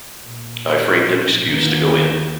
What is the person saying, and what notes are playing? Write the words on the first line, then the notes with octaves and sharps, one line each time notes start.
I framed an excuse to go in.
A#2
D#2 B3